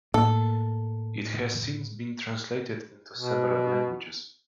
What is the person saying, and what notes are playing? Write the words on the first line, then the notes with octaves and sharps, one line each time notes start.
It has since been translated into several languages.
A2 A#3 A4
B2